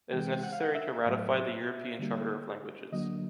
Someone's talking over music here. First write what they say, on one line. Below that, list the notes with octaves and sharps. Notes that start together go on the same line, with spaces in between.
It is necessary to ratify the European Charter of languages.
C3 E3 G#3 G5
F#5
F5
F#5
E5
A2 F#3 A3
D3 G3 A#3
D3 F#3 A#3 D#5